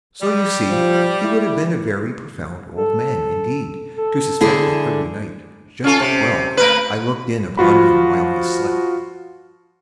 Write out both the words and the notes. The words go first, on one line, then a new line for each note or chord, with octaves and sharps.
So you see he would have been a very profound old man, indeed, to suspect that every night, just at twelve, I looked in upon him while he slept.
G3
F3
E4
A4
A4
D3 E4 G#4
C#4 F4 A4
C3
A3 A#4 B4
F3 F4 F#4 B5